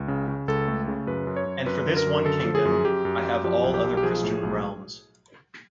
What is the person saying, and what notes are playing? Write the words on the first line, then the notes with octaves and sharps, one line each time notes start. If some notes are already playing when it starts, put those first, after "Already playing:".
And for this one kingdom, I have all other Christian realms.
Already playing: C#2
C#3
C#3
C#2 A4
A3
C#3
F#2 B4
F#2
C#5
F#2
F#2 B4
D3
A#4
F#2
D3 A4
F3
G#4
F#2
F#2 G4
F#2
F#2
F3 G4
B1
G4
B1
G4
F3 G#4
A2
B1